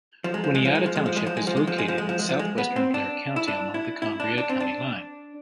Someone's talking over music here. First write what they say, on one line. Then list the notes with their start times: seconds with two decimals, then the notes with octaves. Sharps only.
Juniata Township is located in southwestern Blair County, along the Cambria County line.
0.24 F3
0.34 G#3
0.44 F3
0.55 G#3
0.65 F3
0.75 G#3
0.86 F3
0.96 G#3
1.06 F3
1.17 G#3
1.27 F3
1.37 G#3
1.47 F3
1.57 G#3
1.67 F3
1.78 G#3
1.88 F3
1.98 G#3
2.09 F3
2.19 G#3
2.29 F3
2.39 G#3
2.58 B3
2.76 C4
2.94 D4
3.36 E4
3.48 D4
3.74 E4
4.02 E4
4.20 D4
4.38 D4
4.49 C4
4.60 D4